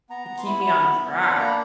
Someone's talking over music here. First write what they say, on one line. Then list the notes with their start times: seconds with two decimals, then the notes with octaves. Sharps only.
to keep me on track.
0.10 B3 A#5
0.28 B3
0.38 C6
0.46 E4 B5
0.65 E4
0.83 B3
1.03 B3
1.20 D4 C6
1.29 B5
1.39 A#3 A#5
1.47 B5